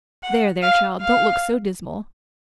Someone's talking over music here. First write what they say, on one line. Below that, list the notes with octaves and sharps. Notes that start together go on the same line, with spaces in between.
There, there, child, don't look so dismal.
F#5
F5
F5